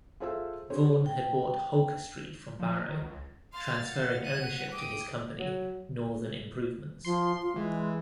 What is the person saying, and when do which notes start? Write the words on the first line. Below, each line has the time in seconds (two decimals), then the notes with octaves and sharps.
Vaughan had bought Holker Street from Barrow, transferring ownership to his company "Northern Improvements".
0.20 F4 G#4 A4 C5 E5 E6
0.70 D4 G4 G#4 C5 C#5
1.06 G5
2.60 F3
2.89 D#3
3.02 C#2
3.53 F5 C6 A6
3.86 F#5
4.23 F#6 D#7
4.72 G5 D6 D#6
5.40 F#3
7.05 F3 C6
7.42 F4
7.56 E3 G#3